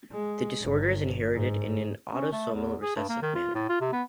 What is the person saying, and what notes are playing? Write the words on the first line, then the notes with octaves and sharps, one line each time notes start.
The disorder is inherited in an autosomal recessive manner.
G#3
G1
G#2
C#4
A3
E2
G#4
G2
A#3
D#3
F4
A2
F4
C3
B3